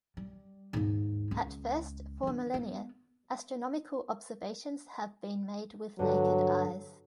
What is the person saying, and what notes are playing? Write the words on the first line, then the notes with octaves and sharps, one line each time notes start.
At first, for millennia, astronomical observations have been made with naked eyes.
G3
D#2 G#2
C#2
D#3 D4
B3
G2 D3 F#3